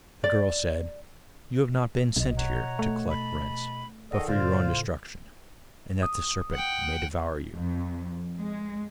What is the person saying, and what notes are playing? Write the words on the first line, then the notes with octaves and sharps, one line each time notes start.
The girl said: 'You have not been sent here to collect rents, but for your own destruction, and that the serpent may devour you.'
D5
B1 B2 D#5
C#5 F#5 A#5
A3
A5 B5
D#3 G#4 A4 D5 D#5 F#5
A2 C#3 F4 A4 C5 D5 F5
D#6
F#5 G5
F2
G#3